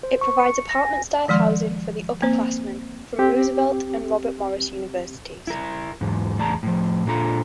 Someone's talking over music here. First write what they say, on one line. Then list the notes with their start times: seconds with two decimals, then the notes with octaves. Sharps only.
It provides apartment-style housing for upperclassmen from Roosevelt and Robert Morris Universities.
0.03 C5
0.21 C#6
0.40 C#7
0.69 A#6
0.84 G#5
1.28 D#3 F3 G#3 C6
2.22 A#3 C4 C5
3.19 C4 G4
5.47 E4 A#4
6.01 E2 G#2
6.37 E2 A2 D5 A5 A#5
6.63 A2 F3
7.07 A#2 D4 F4 A4 B4 A#5